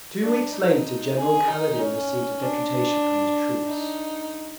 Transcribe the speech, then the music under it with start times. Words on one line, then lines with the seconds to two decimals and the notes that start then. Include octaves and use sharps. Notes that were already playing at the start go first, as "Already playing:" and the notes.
Two weeks later General Kaledin received a deputation from his troops.
0.23 D4
0.54 D#4
1.17 G#4
1.48 D#4
1.79 C#4
2.43 D4
3.67 D#4